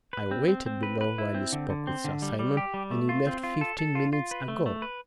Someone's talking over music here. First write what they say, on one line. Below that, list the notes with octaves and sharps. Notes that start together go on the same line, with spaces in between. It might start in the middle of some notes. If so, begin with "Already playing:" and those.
I waited below while you spoke with Sir Simon, and you left fifteen minutes ago.
B4
C4
C4
C4
B4
B4
E4
C4
D3
D3
C4
D3
G3
G3
G4
G3
A3
F4
C4
F4
A4
A4
F4
F4
B4
A3
A3
B4